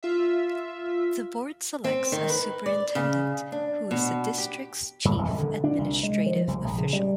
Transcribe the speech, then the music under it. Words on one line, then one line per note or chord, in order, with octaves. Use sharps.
The board selects a superintendent, who is the district's chief administrative official.
F4 E5
C4
D#3
B4
D5
C#3
D4
B2
G4
F#2
D#1
D3
D4
C2
G#3
F3
C2
A#1
C#3
G3